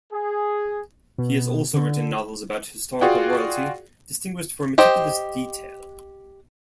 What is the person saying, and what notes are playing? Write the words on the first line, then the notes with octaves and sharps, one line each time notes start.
He has also written novels about historical royalty, distinguished for meticulous detail.
G#4
B2
D3
F4 F#4 G#4 D5 F#5 G5
G4 C5 D#5 G5